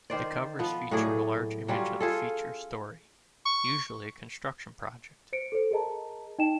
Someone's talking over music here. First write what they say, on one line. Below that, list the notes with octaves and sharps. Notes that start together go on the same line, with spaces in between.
The covers featured a large image of the feature story, usually a construction project.
D#3 C5 D5
F3 B3
A2 F#3 G#4 D5
F#3 G3 C#4 F4
F4 G#4 A4
C#6
C5 C#7 D7
A4 C5
G#4 A#4 D#5 A5 A#5
D#4 D#5 G5 A5 E7